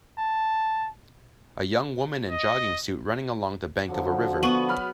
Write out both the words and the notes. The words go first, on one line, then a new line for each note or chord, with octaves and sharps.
A young woman in jogging suit running along the bank of a river.
A5
D#5
D3 F3 F#3 D4 F#4
B3 C#6 D#7 F#7
F#3 G#4 B5 F6